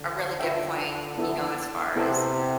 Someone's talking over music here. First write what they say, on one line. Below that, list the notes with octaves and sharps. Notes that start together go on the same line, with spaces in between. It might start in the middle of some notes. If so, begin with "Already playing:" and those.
a really good point, you know, as far as
Already playing: D3
F4 B4 E5 G5
B3 E4 A4
C3 B3 E4 A4